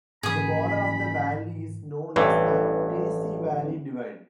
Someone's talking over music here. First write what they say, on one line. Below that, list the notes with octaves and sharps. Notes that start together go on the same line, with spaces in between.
The border of the valley is known as the Tennessee Valley Divide.
F#1 G#2 E3 G#4 B5 D#6
A1 G2 E3